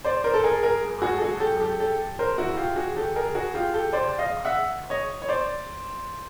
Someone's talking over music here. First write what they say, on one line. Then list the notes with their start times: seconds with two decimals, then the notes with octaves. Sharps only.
Giovanni Fattori is considered the most prominent member of the Macchiaioli.
0.04 C5 D5
0.24 A#4 C5
0.34 A4
0.44 G#4 A#4
0.63 G#4 A#4
1.02 F#4 G#4
1.17 A4
1.21 F#4 G#4
1.40 G4 A4
1.60 G4 A4
1.80 G4 A4
2.19 A#4 C5
2.38 E4 F#4
2.57 F4 G4
2.76 F#4 G#4
2.97 G4 A4
3.16 G#4 A#4
3.35 F#4 G#4
3.55 F4 G4
3.74 G4 A4
3.93 C5 D5
4.18 D#5 F5
4.45 E5 F#5
4.90 C#5 D#5
5.22 C#5
5.29 C5 D5